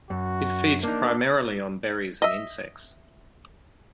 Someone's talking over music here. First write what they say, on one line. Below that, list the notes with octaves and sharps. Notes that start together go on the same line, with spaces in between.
It feeds primarily on berries and insects.
F#2 F#4
A#3 D4 D#4
D#5 E5